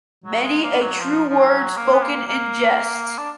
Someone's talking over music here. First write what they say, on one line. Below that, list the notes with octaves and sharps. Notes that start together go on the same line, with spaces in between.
Many a true word spoken in jest.
F#3
G#3
A#3
F#3
F3
F3
F#3
A#3
B3
A#3
A#3
D4